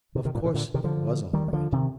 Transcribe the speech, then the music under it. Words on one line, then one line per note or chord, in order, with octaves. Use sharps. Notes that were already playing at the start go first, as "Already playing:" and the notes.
Of course it was all right.
C3 D#3
C3 D#3
G2 A#2
A2 C3
A#2 D3
C3 D#3
D3 F3
D#3 G3
G3
D3 F3
C3 D#3